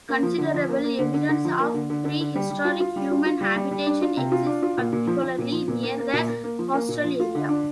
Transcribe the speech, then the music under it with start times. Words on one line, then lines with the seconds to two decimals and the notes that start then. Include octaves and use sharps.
Considerable evidence of prehistoric human habitation exists particularly near the coastal area.
0.09 A#3
0.23 F3
0.38 D3
0.54 F3
0.68 A#3
0.84 A#3
0.99 D3
1.14 D3
1.29 D3
1.45 F3
1.59 A#3
1.74 D3
1.90 D3
2.05 D3
2.20 D3
2.35 G3
2.51 G3
2.65 F4
2.80 F4
2.96 G3
3.11 F4
3.26 F4
3.41 G3
3.56 G3
3.71 G3
3.86 D4
4.02 F4
4.17 C3
4.32 F4
4.46 D4
4.62 F4
4.78 A#2
4.93 A#2
5.07 F3
5.23 F3
5.38 A#2
5.52 F3
5.68 A#2
5.83 A#3
5.99 A#3
6.13 A#2
6.28 A#3
6.44 A#3
6.59 F3
6.74 A#3
6.89 A#2
7.04 F3
7.20 F4
7.35 D3
7.49 D4